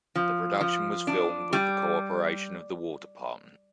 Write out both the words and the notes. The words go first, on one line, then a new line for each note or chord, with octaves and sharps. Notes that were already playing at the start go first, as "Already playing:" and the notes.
The production was filmed with the cooperation of the War Department.
F3
F3
D4
G3